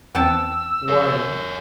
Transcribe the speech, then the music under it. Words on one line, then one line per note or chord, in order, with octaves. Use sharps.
"Why then?"
E2 E3 C4 F#5 G5 A5 E6
A#4 C#5